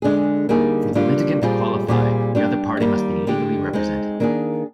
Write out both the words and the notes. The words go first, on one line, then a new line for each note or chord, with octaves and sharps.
For the litigant to qualify, the other party must be legally represented.
D3 G#3 D4 G#4
D3 G3 A#3 D#4 G#4
D3 G3 A#3 D4 F4
A#2 G3 C4 F4 G#4
A#2 G3 C4 F4 G#4
G3 D4 G4
D#3 G3 A#3
D3 G#3 D4 G4
G#3 C4 D#4
D#3 A#3 D4 G#4